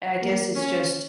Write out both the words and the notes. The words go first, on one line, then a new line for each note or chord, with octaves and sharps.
I guess it's just
A#3
C#4